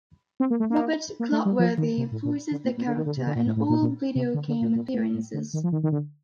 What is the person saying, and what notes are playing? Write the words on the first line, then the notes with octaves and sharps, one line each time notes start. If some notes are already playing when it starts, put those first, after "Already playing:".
Robert Clotworthy voices the character in all video game appearances.
C4
A#3
A3
A#3
A#3
A3
G3
F3
D#3
C3
A2
A#2
D3
A#2
A#2
D3
D#3
D3
C3
D3
A#2
A2
A2
A#2
A#2
C3
D3
D3
A#2
A#2
A2
A2
D3
D#3
F3
D#3
D#3
D3